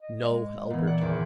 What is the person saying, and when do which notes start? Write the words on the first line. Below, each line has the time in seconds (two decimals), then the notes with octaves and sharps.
No, Halbert!
0.01 D#5
0.21 G#3
0.70 A#2 E3 B3
0.87 D5 F#5
1.01 G#1 E2 D6